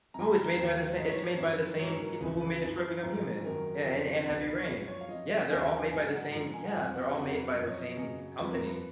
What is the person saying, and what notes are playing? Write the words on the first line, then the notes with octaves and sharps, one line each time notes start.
Oh, it's made by the sa it's made by the same people who made Detroit: Become Human. Yeah, and and Heavy Rain. Yeah, they're all made by the same Yeah, they're all made by the same company.
F#2 F3 A#5
B5
A#5
D#2 D#3 F#3
G#2 F#3 D#5
C#5
C#5
F#2 F3 C#5
B4
G#2 F#3 C#5
A#4
C#2 C#3 F3 B4
B4
F#2 F3
G#2 F3
F#2 D#3 F#3 A#4
F2 C#3 F3
C#2 B2 F#3 B4
B4
C#5
F#2 F3 B4
C#5
F5
F#2 F3 D#5
F5
D#2 C#3 F#3 G#5
G#5
G#2 F#3 G#5
F#5
G#2 F3
G#5
F#5
F2 F3 G#5
F#5
F2 C#3 F#3 F#5
A#4
B4
F#2 F3 D#5
C#5
D#5
F#2 C#3 F#3
F2 F3 B4
A#4
B4